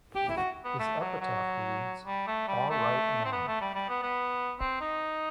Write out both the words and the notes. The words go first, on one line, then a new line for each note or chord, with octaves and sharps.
His epitaph reads "All Right Now".
G4
E4
F#4
B3
A3
F#3
F#3
G3
A3
G3
A3
C4
B3
A3
G3
G3
B3
B3
C4
D#4